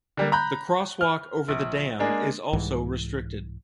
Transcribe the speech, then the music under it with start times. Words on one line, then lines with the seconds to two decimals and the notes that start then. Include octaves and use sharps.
The crosswalk over the dam is also restricted.
0.17 D3 G3 A#3
0.32 A#5 B5 F#6 G6
1.01 F6
1.49 A#1
2.00 G#3 A#3 D4 G#4
2.53 C2 G#2 E3